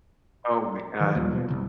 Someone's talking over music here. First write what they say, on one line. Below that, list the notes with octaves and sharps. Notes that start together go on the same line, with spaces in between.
Oh my god.
D#3 F#3
A#1 D#2 F3 G3
B2 F3
F1 C2